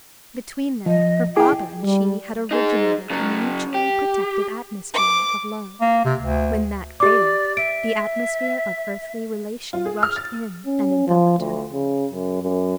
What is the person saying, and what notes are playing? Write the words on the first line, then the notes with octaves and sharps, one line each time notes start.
Between them her father and she had originated a mutually protective atmosphere of love; when that failed, the atmosphere of earthly relation rushed in and enveloped her.
F3 D#5
E4 G#4 G5 D6
G3
D#4 G#4
C#3 F#3
G4
D6
A#3
C3
D2
G4 D5 D6
E5 D7
F4
G#4
F6
A6
C#4
F3
D2
C#3
F#2
F#2